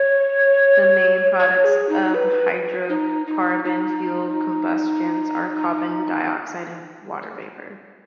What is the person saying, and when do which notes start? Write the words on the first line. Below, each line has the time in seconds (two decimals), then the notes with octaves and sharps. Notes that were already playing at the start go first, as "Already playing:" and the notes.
The main products of hydrocarbon fuel combustion are carbon dioxide and water vapor.
Already playing: C#5
1.39 C#5
1.64 G#4
1.89 D#4
2.14 B4
2.89 D#4
3.27 D#4
3.64 D#4